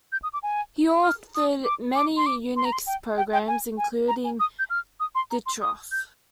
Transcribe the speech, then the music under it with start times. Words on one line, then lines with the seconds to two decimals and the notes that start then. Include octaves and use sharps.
He authored many Unix programs, including ditroff.
0.12 G6
0.23 D#6
0.34 D6
0.43 G#5
1.04 F6
1.35 D#6
1.65 D6
1.96 D6
2.17 C6
2.26 D6
2.57 C6
2.65 A#5
2.73 C6
2.87 G5
3.17 G5
3.33 G5
3.48 G#5
3.78 G#5
4.08 A#5
4.24 G#5
4.40 D#6
4.59 G6
4.70 F6
5.00 D#6
5.15 C6
5.31 A#5
5.46 C6
5.62 D#6
5.92 G6